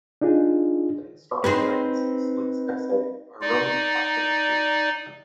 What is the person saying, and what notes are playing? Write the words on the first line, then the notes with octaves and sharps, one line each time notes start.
Sengstock cites Slick's essay Are Roman Catholics Christian?
D4 D#4 F4 G#4
C4 D#4 G#4 B4 C5
D#4 D5